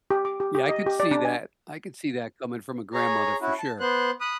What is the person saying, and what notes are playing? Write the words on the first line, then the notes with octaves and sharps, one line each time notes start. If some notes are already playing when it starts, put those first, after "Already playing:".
Yeah, I could see that. I could see that coming from a grandmother, for sure.
G4
D6
G4
G4
D#5
G4
D5
D4
G#5
G#4 C#5 A#5
C#4 E4 F#4
A5
B3 C5 F#6
B5 D#6 F#6